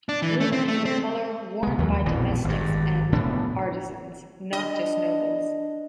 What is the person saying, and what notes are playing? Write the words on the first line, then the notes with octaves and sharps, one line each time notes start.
Blue became a colour worn by domestics and artisans, not just nobles.
D4
E3
A3
C4
A3
C4
C2 G#3
D#2 F#3
A#1 F2 B2 E3
G#1 G2
F1 A2 B3 D4
D4 D#5